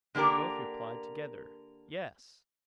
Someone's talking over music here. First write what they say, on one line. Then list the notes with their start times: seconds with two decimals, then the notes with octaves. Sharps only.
We both replied together, 'Yes!'
0.15 D3 A#3 D4 G4 A#4